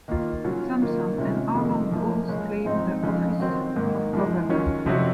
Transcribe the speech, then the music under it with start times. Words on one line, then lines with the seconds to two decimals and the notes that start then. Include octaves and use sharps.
Thompson and Arnall both claimed the office of governor.
0.08 D#3 A#3 F4
0.44 C#3 F#3 C#4 F4
0.82 D#3 A#3 F4
1.18 C3 D#3 G#3 C#4 F4
1.55 F2 D#3 G#3
1.92 F#2 F3 A#3
2.29 C#3 G#3 C#4
2.65 G#2 F3 C4 D#4
3.03 F2 C#3 F3 G#3
3.39 D#3 F#3 C4
3.76 G#2 D#3 A#3
4.13 F#2 F3 G#3
4.49 D#3 F#3 C#4 F4
4.86 F2 C3 F#3